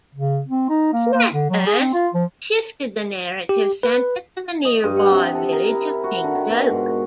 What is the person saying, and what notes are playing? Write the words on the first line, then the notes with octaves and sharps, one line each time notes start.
Smethurst shifted the narrative centre to the nearby village of King's Oak.
C#3
C4
D#4
A#3
A#3
D3
F#3
G#4
C4
F4
F3
G4
B4
D#5
G2
F#5
C3
A4
A#4
E4
F#4
D3
D#3
B2
G#2